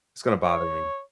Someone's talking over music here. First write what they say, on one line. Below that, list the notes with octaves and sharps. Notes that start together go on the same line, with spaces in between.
It's gonna bother me.
C#5